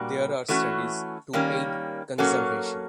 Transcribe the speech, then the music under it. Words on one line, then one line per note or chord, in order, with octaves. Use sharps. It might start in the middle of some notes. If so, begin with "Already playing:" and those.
There are studies to aid conservation.
Already playing: A#2 G3 A#3 D4 F#4
E3 A3 C#4 F#4
D#3 G3 A#3 C#4
F#3 A#3 C#4 F#4 A4